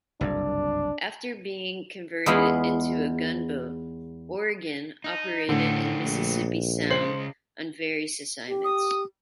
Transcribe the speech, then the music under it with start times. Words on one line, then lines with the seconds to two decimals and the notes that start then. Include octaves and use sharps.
After being converted into a gunboat, "Oregon" operated in Mississippi Sound on various assignments.
0.21 F#1 C2 G2 D4
2.26 E2 G#3 B3 E4 F4 B5
5.04 D#4
5.49 A2 D3 A3 C4
6.04 A#1
6.90 C#3 G#3 C5 C7 F#7
8.48 G4
8.64 D#6